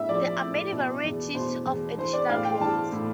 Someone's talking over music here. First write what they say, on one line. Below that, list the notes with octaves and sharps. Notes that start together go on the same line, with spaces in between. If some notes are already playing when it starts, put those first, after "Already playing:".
There are many varieties of additional rules.
Already playing: A2 E5
F3 D5
A2
B2
E2
B2 C5
E2
E3 C5
D5
A2 F5
G5
E3 A5
A2